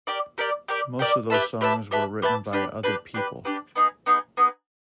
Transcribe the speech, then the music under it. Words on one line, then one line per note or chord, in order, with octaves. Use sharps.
Most of those songs were written by other people.
G4 A#4 D5
G4 A#4 D5
G4 A#4 D5
G4 A#4 D5
G4 B4 E5 A5
G4 B4 E5 A5
G4 B4 E5 A5
G4 B4 E5 A5
D4 G4 B4
D4 G4 B4
D4 G4 B4
D4 G4 B4
B3 D#4 G#4
B3 D#4 G#4
B3 D#4 G#4